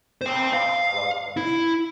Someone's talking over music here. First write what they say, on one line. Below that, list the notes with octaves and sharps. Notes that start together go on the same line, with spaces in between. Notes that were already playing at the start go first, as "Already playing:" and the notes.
Ah, I love The Boys.
C5 G5
F5
E4